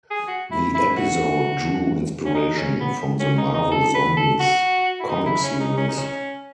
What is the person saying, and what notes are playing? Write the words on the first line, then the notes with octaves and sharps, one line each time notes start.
The episode drew inspiration from the "Marvel Zombies" comic series.
G#4
F#4
E4
E4
F#4
C#4
D#4
C#4
B3
C#4
D#4
D#4
A4
B4
A4
F#4
E4
D#4
E4
C#4
D#4
C#4
D#4
C#4